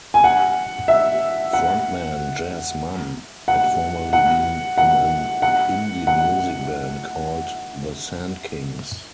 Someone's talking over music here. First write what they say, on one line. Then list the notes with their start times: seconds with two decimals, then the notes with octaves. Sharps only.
Frontman Jas Mann had formerly been in an indie music band, called The Sandkings.
0.14 G#5
0.24 F#5
0.88 E5
1.53 F#5
3.48 F#5
4.13 F#5
4.78 F#5
5.42 F#5
6.07 F#5